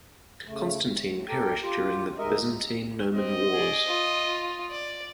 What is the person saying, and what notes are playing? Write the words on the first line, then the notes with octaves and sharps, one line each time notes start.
Constantine perished during the Byzantine–Norman wars.
C#3 A3
A2
G4 A4 A#4 G5
F4 G4
D2 G#2 G#3 A#4 D#5 E5
C4 D#5
G#4 D5
F4
D5